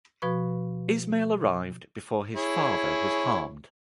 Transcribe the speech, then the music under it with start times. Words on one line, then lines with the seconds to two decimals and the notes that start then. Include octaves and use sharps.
Ismail arrived before his father was harmed.
0.22 B2 F3 F#4 B4 B5 C#6
2.36 E4 G#4 C#5